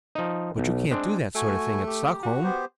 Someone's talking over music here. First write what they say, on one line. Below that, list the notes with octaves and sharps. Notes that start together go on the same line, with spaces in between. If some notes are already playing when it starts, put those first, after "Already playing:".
"But you can't do that sort of thing at Stockholm!"
F3 D#4
B1
G#3 C4 D4
A3 F#4 G#5
G4
F#4
B3 G4 C5